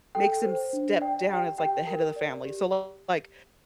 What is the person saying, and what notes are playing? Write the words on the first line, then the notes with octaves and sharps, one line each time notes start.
makes him step down as like the head of the family, so, like,
A4 G5
C5
D4
D5 G5
G4 G5
G4 G5
A#4
D5
G4